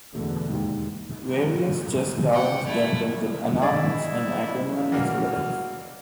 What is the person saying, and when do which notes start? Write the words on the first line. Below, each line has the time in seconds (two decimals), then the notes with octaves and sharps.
Various chess columns then printed anonymous and acrimonious letters.
0.15 E2 B2 D3 A3
0.49 D#2 G#2
2.33 F#5 G5
2.66 A3 E4
3.62 D4 E4 G#4 D5 D#5
4.92 E3 A#3 F#4 F6